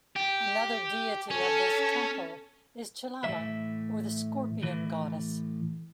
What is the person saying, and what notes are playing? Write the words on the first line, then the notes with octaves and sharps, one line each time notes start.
Another deity of this temple is Chelamma or the scorpion goddess.
G4
C#4 A4 A5
A2 E3 F#3 E5
A2 E3